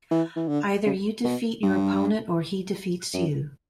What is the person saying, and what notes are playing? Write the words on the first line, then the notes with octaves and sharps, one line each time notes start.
Either you defeat your opponent or he defeats you.
E3
E3
D3
C#3
B2
G2
F#2